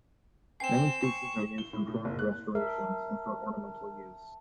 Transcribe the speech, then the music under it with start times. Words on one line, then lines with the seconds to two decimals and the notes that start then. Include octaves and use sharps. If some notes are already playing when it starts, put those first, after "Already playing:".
Many species are used in prairie restorations and for ornamental use.
0.60 C4 G5 G#5 C7 E7
1.02 C#6
1.58 G7
1.73 A2
1.88 A2
2.05 F#1
2.19 F#6
2.55 A#4 E5 A5